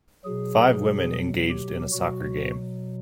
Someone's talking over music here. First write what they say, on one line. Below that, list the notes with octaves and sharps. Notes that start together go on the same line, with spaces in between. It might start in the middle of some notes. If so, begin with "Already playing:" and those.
Five women engaged in a soccer game.
B2 F#3 G#4
G4
B2 F#3 F#4